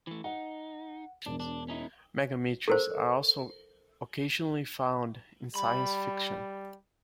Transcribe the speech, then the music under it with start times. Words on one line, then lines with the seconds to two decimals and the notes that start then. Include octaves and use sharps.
Megametres are also occasionally found in science fiction.
0.07 E3 A3
0.24 D#4 F#5
1.26 E1 D4
1.40 D4
1.68 C#4 D#4 E4
2.68 A4 A#4 C5
5.55 G3 B5